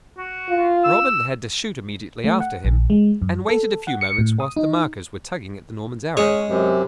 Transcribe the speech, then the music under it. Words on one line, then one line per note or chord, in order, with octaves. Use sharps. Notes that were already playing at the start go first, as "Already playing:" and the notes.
Robin had to shoot immediately after him, and waited a few moments whilst the markers were tugging at the Norman's arrow.
F#4
F4
E6
A3
F#5
A#1
G#3
F#2
A4
F#5
C#7
A2
D#6
D#4
G#3 C#4 G#4 C#5
F#2 C3